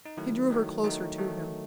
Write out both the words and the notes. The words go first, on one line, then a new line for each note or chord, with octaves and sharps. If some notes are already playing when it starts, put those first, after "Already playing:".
He drew her closer to him.
D#4
D#3 F#3 A3 E4
D#3 F#3 A3
D#3 F#3 A3 D#4
D#3 F#3 A3